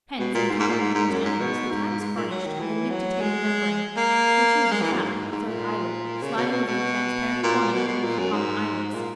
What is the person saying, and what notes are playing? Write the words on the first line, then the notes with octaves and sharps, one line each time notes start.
Hence, in common with most animals, the Cat is furnished with a nictitating membrane, which is, in fact, a third eyelid, sliding over the transparent cornea beneath the common eyelids.
B2
A#2
G#2
G#2
A#2
G#2
G#2
F#2
G#2
B2
G#2
G#2
A#2
F#3
D#3
E3
F#3
G#3
A#3
G#3
E3
F#2
G#2
G#2
A#2
C#3
B2
B2
B2
A#2
B2
B2
A#2
F#2
G#2
A#2